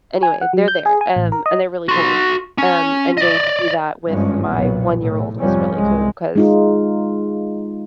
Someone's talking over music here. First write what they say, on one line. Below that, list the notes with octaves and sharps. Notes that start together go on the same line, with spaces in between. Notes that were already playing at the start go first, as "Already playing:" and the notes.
anyway, they're there, and and they're really cool, um, and getting to do that with my one-year-old was really cool 'cause,
G#5
F#5
F#3
G6
G#4
G#5
A1
A#4
D#5
F#4 C6
C#4
D5 D#5
G#1 G2 F3 G#3 C#4
F1 B1 F#2 A#2 F#3 B3
A2
F1 F2 G#2 F3 G3 C#4
C2 G#3
G#3 D#4 F4